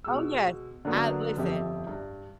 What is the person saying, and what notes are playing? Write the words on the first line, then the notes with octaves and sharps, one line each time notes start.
Oh, yes. I listen,
B2 G#3 E6
D3 F#3 A#3 B3
G1 F2 G4 E5
G2